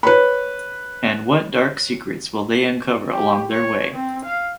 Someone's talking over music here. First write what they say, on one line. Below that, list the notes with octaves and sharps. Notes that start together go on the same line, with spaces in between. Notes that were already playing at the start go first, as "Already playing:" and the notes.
And what dark secrets will they uncover along their way?
B4 C#5 B5
G4
C#5
C4
F5